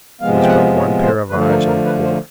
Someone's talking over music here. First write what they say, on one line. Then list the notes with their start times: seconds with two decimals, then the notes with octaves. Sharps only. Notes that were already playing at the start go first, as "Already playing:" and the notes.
There was but one pair of eyes in the corps.
0.21 C3 F3 G#3 B3 F5
0.42 G5
0.48 F#5
0.76 C#5
1.03 C5
1.30 D3 F3 A3 B4
1.49 A#4
1.67 A#4
1.85 B4
2.04 C5